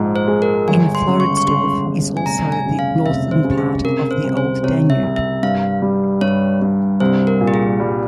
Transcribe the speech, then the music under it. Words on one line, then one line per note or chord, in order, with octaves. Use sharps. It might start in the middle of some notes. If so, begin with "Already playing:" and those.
In Floridsdorf is also the northern part of the Old Danube.
Already playing: A#1 G#2 F3
C5
G#3
A#4
G1 G#5
C6
C#3
C#6
C#6
C#3 C6
G1
G#5
F1 A#5
G#5
C#3
F5
F1 E5
C5
C#3
G4
G#4
C3 A#4
C5
C2
C5
C3 C#5
E5
C2
E5
G2 F5
G3
G2 C#5
G2
C2 C5
A#4
A#2
G4
G#4
G3